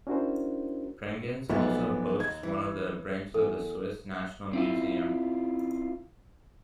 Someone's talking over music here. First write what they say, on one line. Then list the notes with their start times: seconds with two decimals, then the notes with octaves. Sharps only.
Prangins also hosts one of the branches of the Swiss National Museum.
0.07 C#4 D4 E4 F#4 A#4 C5
1.50 B1 F3 A3 B3
2.20 D#2 G#6
2.43 E3
3.34 E2 A4
4.53 C4 E4 F4